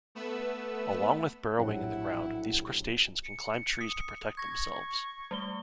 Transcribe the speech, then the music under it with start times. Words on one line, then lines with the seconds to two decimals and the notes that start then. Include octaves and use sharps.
Along with burrowing in the ground, these crustaceans can climb trees to protect themselves.
0.15 A3 B3 B4 E6
1.58 A#1 A2 F#3 G3 C4 C#4 E4 F#5
3.24 C#7
3.81 D#6
4.37 C#6 G#6 A#6
5.31 G3 A3 G7